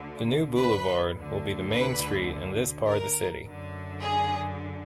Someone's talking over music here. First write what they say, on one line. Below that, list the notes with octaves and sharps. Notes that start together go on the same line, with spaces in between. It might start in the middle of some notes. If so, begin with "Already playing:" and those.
The new boulevard will be the main street in this part of the city.
Already playing: D2 D3
B4
D2 D3
B4
A#4
F#2 D3
G#4